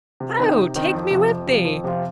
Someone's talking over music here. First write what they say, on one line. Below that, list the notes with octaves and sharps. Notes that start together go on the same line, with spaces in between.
'Oh! take me with thee!'
C3
D#3 C4 D#4
C3
D#3 C4 D#4
F2
C3 F3
F2
C3 F3
F2
C3 F3 C4 F4